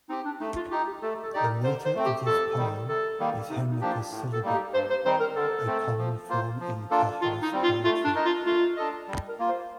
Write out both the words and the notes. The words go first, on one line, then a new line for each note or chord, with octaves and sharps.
The meter of this poem is hendecasyllabic, a common form in Catullus's poetry.
C4 D#4 G4
D4
A3 D#4
F4
D#4 F4 G4
G4
A3 A4
A4
D#4 G4 D5
A#4
D3 C5
C5
A3 C4
G4
F2 A4
D#3 G3
C3 A4
D#3 G3 A#3
C3 D#4
D#4
F3 A#3 D4 G4
F4
A2
A4
G3 A#3 D#4
G4
G2 C5
C5
D#3 G3 C4 D#4 C5
A#4
D3 A4
A3 C4
F3
A#3 F4 C5
F3
A#3 D4 F4 A4
D#3 F4
D#4
G3 C4
F4
A3 F4
D4
D#4 A#4 D#5
F4
A3 F4
D4 A4 D#5
G3
A#4
A#3 F4
C5